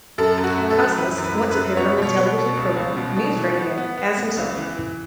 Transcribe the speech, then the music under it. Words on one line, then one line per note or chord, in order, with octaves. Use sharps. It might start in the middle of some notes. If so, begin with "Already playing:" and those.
Costas once appeared on the television program, "NewsRadio", as himself.
F#2 A4
F#2
F#4
A3
A4
F#2
E3 B4
F#2
B4
F#2
B4
F#2
B3 C#5
B2 C#5
B3
B2
C#2
C#2
B2
B2
E3
B3
B3
B3
B3
C#2
E3
E3